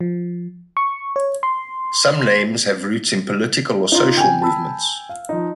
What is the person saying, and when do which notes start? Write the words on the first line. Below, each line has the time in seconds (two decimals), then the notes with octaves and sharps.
Some names have roots in political or social movements.
0.01 F3
0.77 C#6
1.16 C#5
1.43 C6
3.92 D#4 F4
4.17 C#3 G5 G#5
4.42 A5 B5 E6
5.09 F5
5.29 F3 D#4